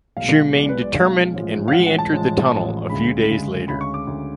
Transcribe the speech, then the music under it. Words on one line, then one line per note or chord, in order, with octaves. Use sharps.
She remained determined and re-entered the tunnel a few days later.
B1 B2 G#3 F5
B1 B2 G#3 D5
B4
D5
B1 B2 G#3 F5
A1 A2 F3 G#3
F5
A1 A2 F3 G#3 F#5
F#5
A5
A1 A2 F3 G#3
A1 A2 F3 G#3
D2 C#3 G#3 B5
D2 C#3 G#3
D2 C#3 G#3 B5
C#6
D6
D2 C#3 G#3